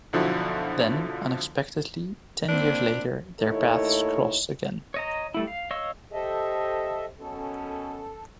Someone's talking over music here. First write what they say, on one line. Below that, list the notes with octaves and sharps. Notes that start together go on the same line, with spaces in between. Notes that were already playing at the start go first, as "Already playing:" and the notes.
Then, unexpectedly, ten years later, their paths cross again.
B1 D3 F3 E4 F#4
A#3 C4 D4 E4
D#2 A3 D#4 E4 A4 C#5
C#5 D#5 A#5
G3 A3 E4
F5
C#5 D#5 F5 C#6 E6
G4 A4 C5 D#5 E5
F#2 B2 C#4 A4